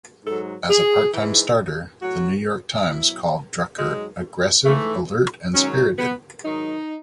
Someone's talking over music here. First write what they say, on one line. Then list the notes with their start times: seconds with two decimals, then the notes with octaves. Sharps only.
As a part-time starter, The New York Times called Drucker "aggressive, alert and spirited".
0.25 G#2 F#3 A4
0.68 G#4
1.13 G#2 E3
2.01 A2 F#3 F#4
2.89 B2 F#3 E4
3.77 G#2 F#3 G#3
4.66 G#2 E3 A3
5.53 G#2 D#3 F#3 C#4
5.98 B3
6.42 G#2 D#3 F#3 D#4